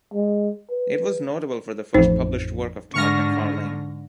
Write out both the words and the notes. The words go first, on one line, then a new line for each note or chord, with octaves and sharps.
It was notable for the first published work of Todd McFarlane.
G#3
B4
A1 F2 D#4 C5
G#2 D3 C#6 F6 A#6